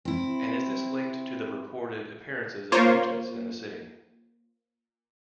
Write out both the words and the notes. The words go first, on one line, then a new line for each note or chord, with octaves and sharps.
And is this linked to the reported appearances of mutants in the city?
C4 E4
A#3 F4 C5 C#5